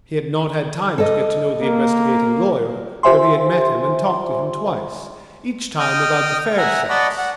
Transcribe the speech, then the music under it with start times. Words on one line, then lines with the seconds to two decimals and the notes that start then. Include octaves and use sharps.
He had not had time to get to know the investigating lawyer, though he had met him and talked to him twice, each time about the fair sex.
0.98 A4 D#5
1.62 A#3
3.03 F4 G4 C5 E5 G#5 C6
5.79 D#5 G5 D#6 F6
6.58 E5 F#5 G#5 A#5
6.89 D5 D#5 F#5 A5 B5 C#6
7.18 F#5